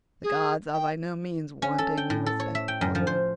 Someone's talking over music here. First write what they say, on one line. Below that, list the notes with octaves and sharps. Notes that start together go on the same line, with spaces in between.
The gods are by no means wanting in respect for you.
G#4
G5
C#4
A4
G5
A2
A4
C#5
E5
G5
F#2
F3
C5